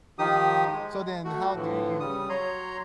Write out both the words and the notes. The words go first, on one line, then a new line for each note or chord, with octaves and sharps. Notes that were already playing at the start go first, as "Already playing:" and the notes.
So then how do you
D#3 F3 D#4 G4 D#6
G#3
A3 F#4
A2 D3 E3 F3
C#3 G3 D#6
F#3 C#5 A#5 C6